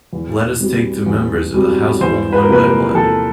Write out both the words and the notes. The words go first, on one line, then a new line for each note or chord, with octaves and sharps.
Let us take the members of the household one by one.
E2
B2 G3 C4
E2
B2 G3 C4
E2 C5
B4
A#4
C3 F3 A#3 B4
A#4
E2 A4